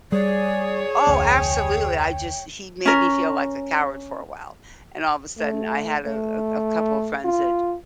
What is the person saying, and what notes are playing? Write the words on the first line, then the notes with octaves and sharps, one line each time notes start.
Oh, absolutely, I just he made me feel like a coward for a while, and all of a sudden I had a a a couple of friends that
G3 G#4 C#5 D5
F1 D2 C#4 G5
C#4 A#4
A3
A3
F4